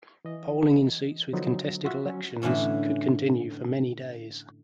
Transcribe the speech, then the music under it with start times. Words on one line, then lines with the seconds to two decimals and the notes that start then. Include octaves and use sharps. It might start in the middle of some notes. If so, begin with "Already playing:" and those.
Polling in seats with contested elections could continue for many days.
0.25 E3 D#5
1.33 D3 F3 F#3 B3 D#4
1.85 F4 F#4 E5
2.05 F#3 C#4
2.42 A2 D3 E3 C#4 A4